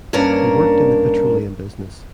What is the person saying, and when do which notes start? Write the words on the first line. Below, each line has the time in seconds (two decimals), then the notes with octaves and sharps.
He worked in the petroleum business.
0.13 G2 A#3 C#4 D4 A#4 A#5